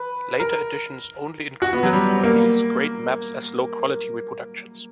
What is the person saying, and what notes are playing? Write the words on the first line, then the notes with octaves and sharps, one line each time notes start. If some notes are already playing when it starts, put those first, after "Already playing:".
Later editions only included Perthes' great maps as low quality reproductions.
Already playing: B4
A#4
F#4
B3
F#3
G3
A#3